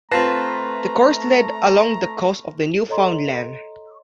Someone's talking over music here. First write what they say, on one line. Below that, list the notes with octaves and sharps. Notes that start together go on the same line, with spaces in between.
The course led along the coast of the new found land.
A3 C4 F4 B4 A5 A#5 A#6 C7
A4 C#5 D#5 A#5 C6